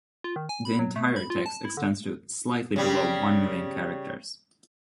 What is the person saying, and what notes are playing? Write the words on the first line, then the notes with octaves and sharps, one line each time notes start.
The entire text extends to slightly below one million characters.
F4
D#3
G#5
B5
F#3
A3
B5
F4
A5
E4
D3
C#3 G3